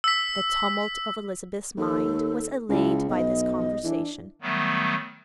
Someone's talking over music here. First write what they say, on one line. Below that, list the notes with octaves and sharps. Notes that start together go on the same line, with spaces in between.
The tumult of Elizabeth's mind was allayed by this conversation.
E6 B6
D#2 A4
C#2 E4
B1 D#5
E3 D4
D#3 F#3 G3 A3 B3